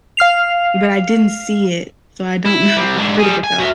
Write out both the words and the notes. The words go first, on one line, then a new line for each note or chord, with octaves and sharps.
But I didn't see it, so I don't know, I've heard of it though,
F5 F6 C7 F7
E4
G3 C4
G#2 D4
G3 G#4
G#5
F#4 E5